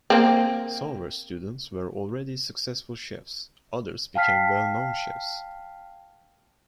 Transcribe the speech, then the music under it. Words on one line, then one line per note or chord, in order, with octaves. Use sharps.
Some of her students were already successful chefs; others became well-known chefs.
A#3 C4
F5 G5 A5 F6 B6 C7